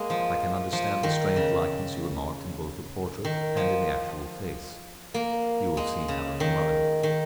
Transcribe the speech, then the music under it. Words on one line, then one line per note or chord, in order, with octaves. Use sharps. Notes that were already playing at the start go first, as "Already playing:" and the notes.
I can understand the strange likeness you remarked in both the portrait and in the actual face; you have seen Helen's mother.
Already playing: G#3 A#3
F3
F3
D#3
C#3
D#3
F3
A#3
G#3
C#3
D#3
D#3